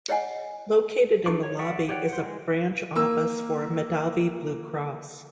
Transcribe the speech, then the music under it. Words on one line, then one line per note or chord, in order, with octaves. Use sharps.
Located in the lobby is a branch office for Medavie Blue Cross.
G#4 C#5 D#5 F#5 G#5
D4 D#4 C#6 D6
C#5
D5 E5 F#5 C#6
G4 C#5 D5 F#5 G5
C5 F#5
G#3
A#3 E6